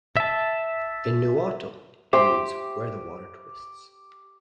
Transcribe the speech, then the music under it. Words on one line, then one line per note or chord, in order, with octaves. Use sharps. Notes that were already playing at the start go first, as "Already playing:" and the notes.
In Nahuatl it means "where the water twists".
E5 A5
G4 C5 E5 D6